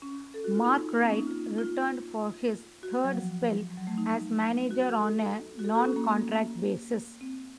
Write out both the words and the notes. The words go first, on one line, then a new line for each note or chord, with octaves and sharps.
Mark Wright returned for his third spell as manager on a non-contract basis.
C#4
A4
F#4
F4
D#4
A#3
C4
C#4
D#4
F4
F4
F#4
C4
F#3
F3
F#3
A3
D#4
F#4
F#4
A4
F#4
A4
F#4
C#4
A#3
C4